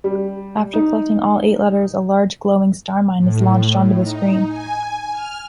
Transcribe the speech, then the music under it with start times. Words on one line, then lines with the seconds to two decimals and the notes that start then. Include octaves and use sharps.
After collecting all eight letters, a large glowing Starmine is launched onto the screen.
0.04 G3
0.74 D#4
3.16 A2
3.99 D#4
4.47 G#5
5.11 F6